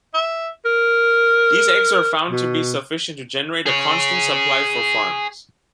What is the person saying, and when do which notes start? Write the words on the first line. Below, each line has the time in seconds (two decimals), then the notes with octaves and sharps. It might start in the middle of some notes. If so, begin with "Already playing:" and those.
These eggs were found to be sufficient to generate a constant supply for farms.
0.14 E5
0.65 A#4
2.30 B2
3.66 G#4 C#5